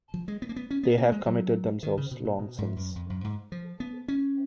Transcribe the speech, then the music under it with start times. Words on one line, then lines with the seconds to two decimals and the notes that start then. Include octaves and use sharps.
They have committed themselves long since.
0.14 F3
0.28 G#3
0.42 B3
0.49 A#3
0.56 B3
0.71 C#4
0.83 B3
0.98 A#3
1.12 G#3
1.26 F#3
1.83 D#3
1.97 C#3
2.11 B2
2.25 A#2
2.39 B2
2.58 G#2
2.76 F#2
2.96 F2
3.10 F#2
3.24 G#2
3.52 F3
3.80 B3
4.08 C#4